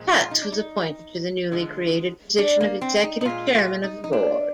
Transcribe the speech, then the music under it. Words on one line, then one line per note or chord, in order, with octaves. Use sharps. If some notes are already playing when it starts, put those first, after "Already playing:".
Katz was appointed to the newly created position of executive chairman of the board.
Already playing: A#2 F3 G#3
F4
D#4
D4
D#4
D3 F3 G#3
D4
A#3
C4
D#4
D#4
A#2 G#3 F4
F4
D#4
D#4
D4